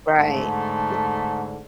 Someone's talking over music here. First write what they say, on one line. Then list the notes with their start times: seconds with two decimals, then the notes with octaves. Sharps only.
right. I
0.17 G#2 D3 A3